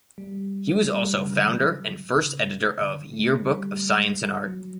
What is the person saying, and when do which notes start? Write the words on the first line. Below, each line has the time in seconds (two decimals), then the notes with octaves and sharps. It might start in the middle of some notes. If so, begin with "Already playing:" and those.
He was also founder and first editor of "Year-Book of Science and Art".
0.18 G3
0.79 A3
0.83 G3
1.16 C#3
1.27 D3
1.38 E3
1.49 F#3
2.15 C#3
2.82 D3
3.13 A3
3.47 G3
4.46 F#3